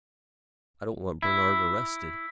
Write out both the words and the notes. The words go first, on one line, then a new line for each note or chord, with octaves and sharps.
"I don't want Bernard arrested."
E4